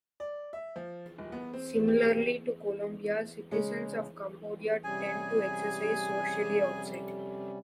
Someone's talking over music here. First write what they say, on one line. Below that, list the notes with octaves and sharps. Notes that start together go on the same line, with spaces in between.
Similarly to Colombia, citizens of Cambodia tend to exercise socially outside.
D5
E5
F3
D#1
B3
C4
G4
G4
C#3 G#3 C#4
C3 G3 C#4 G#4 G#5